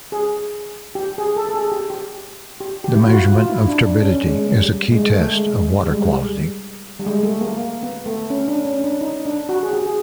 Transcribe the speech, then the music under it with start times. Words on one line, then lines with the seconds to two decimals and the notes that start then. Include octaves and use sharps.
The measurement of turbidity is a key test of water quality.
0.12 G#4
0.95 G4
1.18 G#4
1.36 A4
1.49 A4
1.54 G#4
1.72 G4
1.90 G4
2.60 G4
2.84 G4
2.94 E4
3.02 F4
3.08 F#4
3.32 F4
3.49 E4
3.68 D4
3.85 D4
4.03 C#4
4.26 G#3
4.51 G3
4.92 G#3
5.10 A3
5.27 G#3
5.46 G#3
5.81 G3
5.90 G#3
6.01 G3
6.99 G3
7.06 G#3
7.23 A3
7.41 A#3
7.58 A#3
7.83 B3
8.06 A3
8.30 C#4
8.48 D4
8.65 C#4
8.84 D4
9.01 D#4
9.26 D4
9.49 F#4
9.63 G#4
9.73 G4
9.86 G#4